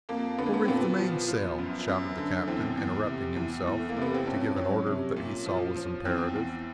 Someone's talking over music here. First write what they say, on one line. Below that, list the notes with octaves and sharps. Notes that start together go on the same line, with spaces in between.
"Double-reef the mainsail!" shouted the captain, interrupting himself, to give an order that he saw was imperative.
F2 A#3
D3 B3
A#3
B3
C4
A#2 B3
F3
F3
F#2
F#2
D3
E2 C4
E2
C3
E2
E2
A3
A#3
C3
B3
C4
F2 C#4
F#3
C3
A#2
F3
F3
E2 C4
E2